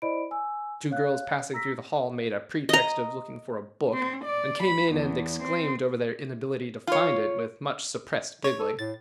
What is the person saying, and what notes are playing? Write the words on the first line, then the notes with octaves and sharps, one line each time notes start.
Two girls passing through the hall made a pretext of looking for a book and came in and exclaimed over their inability to find it with much suppressed giggling.
E4 C5 D5 D#5 B5 D7
G#5 E6
C#5 F5 F#6
A#5 E6 A#6 B6
D#5 A#5
C4
D5
B5
E2
C4
F4 C#5
C#5
A4
A2 A6